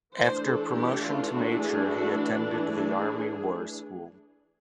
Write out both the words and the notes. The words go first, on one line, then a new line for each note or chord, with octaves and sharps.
After promotion to Major he attended the Army War School.
E3 A3 D4 C5
A4
G4
F4
F#4
G#4
F#4
G#4